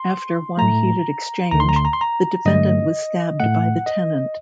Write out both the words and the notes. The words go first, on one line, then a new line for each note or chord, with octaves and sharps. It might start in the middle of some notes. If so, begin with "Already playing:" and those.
After one heated exchange, the defendant was stabbed by the tenant.
Already playing: C6
A2 A3 A#5
D2 D3 A3 A#5
C6
A#5
C6
A#5
C6
A#5
G2 D3 F#3 A3 D#5
A2 A3 F#5
D#5